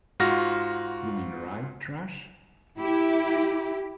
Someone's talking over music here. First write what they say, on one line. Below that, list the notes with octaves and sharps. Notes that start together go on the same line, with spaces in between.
You mean write trash?
G#2 F4 F#4 F6 A#6
E4 G4